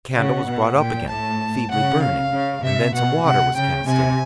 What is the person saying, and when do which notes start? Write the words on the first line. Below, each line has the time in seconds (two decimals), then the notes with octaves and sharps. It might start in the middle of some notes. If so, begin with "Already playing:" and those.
The candle was brought up again, feebly burning, and then some water was cast in.
0.15 C#3 F#5
0.46 B2
0.78 A#2 G5
1.08 A2 A5
1.70 C#3 F#5
2.02 F5
2.33 C#3
2.63 C3 E5
2.94 B2 F#5
3.25 C3 F#5
3.56 C#3 G5
3.87 C3 G#5